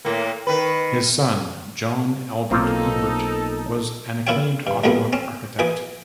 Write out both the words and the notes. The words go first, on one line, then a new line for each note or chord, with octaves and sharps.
His son John Albert Ewart was an acclaimed Ottawa architect.
A2 A#3
D#3 B4
B1 A#3 C4 D#4 F4 A4
A#2 E4 F4 C#5 G5
G2
D2 A2 D3 G3 A#3 B3
C4 C#4
A#1 E3 G#5 D6 D#6